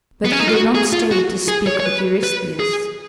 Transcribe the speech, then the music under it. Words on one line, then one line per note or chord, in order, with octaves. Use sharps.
But he did not stay to speak with Eurystheus.
B3
C#4
D#4
F4
F#4
G#4
F4
F#4
G#4
C#5
C#5
B4
B4
G#4